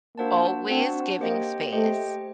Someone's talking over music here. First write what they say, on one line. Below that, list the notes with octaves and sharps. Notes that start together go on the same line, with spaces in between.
always giving space.
A#3 D4 F#4 C5 F#5 A5
C4 D4 F#4 C5 F#5 A5
A#3 G4 C5 D#5 G5
A3 G4 C5 D#5 G5